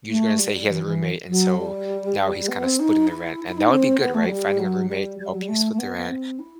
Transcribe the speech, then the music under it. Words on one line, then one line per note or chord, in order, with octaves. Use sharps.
you were just gonna say he has a roommate, and so now he's kinda splitting the rent, and that would be good, right? Finding a roommate to help you split the rent.
A3
G3
E3
E3
F#3
G3
B3
C4
D#4
E4
E4
D#4
C4
B3
A3
F#3
G3
F#3
G3
G3
F#3
G3
A3
A3
B3
B3
C4
E4